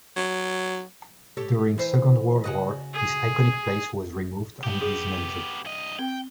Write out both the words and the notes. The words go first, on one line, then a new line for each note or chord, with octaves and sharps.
During Second World War, this iconic place was removed and dismantled.
F#3
G4 A4 C#5
E3 C5
C#3 F#4 D#5
G#4
B3 G4
G#4
G2 D#5
C4 G5